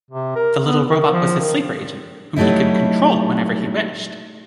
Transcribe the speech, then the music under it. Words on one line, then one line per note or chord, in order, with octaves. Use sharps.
The little robot was his sleeper agent, whom he could control whenever he wished.
C3
A#4
B3
D#3
F3
D#3
F#3 G3 A3 D#4 E4